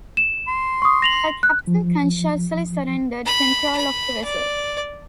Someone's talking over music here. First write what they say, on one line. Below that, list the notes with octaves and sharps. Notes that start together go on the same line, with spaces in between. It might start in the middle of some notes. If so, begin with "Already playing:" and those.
Her captain consciously surrendered control of the vessel.
E7
C6
C#6 D#6
A#6 F7 F#7
F#6
F3
B5
B5
D5